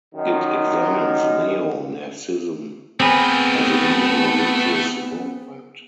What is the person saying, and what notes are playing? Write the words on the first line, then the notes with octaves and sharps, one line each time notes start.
It examines neo-Nazism as a new religious movement.
F#2 D#3
A3 B3 C4 G#4 A#4 B4